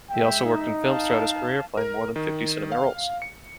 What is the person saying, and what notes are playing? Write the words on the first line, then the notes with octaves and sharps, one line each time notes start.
He also worked in films throughout his career, playing more than fifty cinema roles.
G#3 E5 G5
D#4
F5 A5
A#4
D#3
F5
C#7